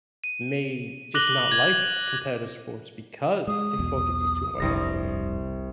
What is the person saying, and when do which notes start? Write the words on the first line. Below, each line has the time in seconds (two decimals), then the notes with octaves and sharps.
may just not like competitive sports because it focuses too much on winning,
0.24 D#7
1.14 D6 F#6 A#6 F#7 G7
1.48 G#6 F#7
3.47 G#3 D#6
3.79 B1 E2 B2
4.60 F1 C2 G2 A#6